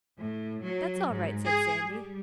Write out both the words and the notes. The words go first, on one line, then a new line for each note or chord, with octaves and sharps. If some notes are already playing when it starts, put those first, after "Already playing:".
'That's all right,' said Sandy.
A2
F#3
G#2
G#4
G3